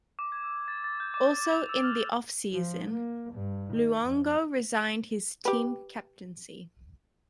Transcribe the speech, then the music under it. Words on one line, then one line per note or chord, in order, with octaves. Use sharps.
Also in the off-season, Luongo resigned his team captaincy.
D6
G#6
E6
A6
A6
G6
D6
G6
F7
E6
F6
F7
F3
A#3
G2
D#3
F2
G4 B4